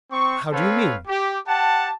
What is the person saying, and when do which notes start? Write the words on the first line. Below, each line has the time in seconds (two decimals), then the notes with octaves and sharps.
"How do you mean?"
0.12 C4 C#6
0.52 C4 A4 B4 C#5 F5
1.08 G4
1.47 G4 F#5 G5 A5